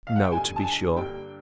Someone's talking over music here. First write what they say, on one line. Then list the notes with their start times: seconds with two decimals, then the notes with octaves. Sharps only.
No, to be sure!
0.07 F5
0.16 F#5
0.24 G5
0.32 G2 D3 G3 A#3 G#5
0.56 A5
0.64 G#5
0.96 G2 D3 G3 A#3 G5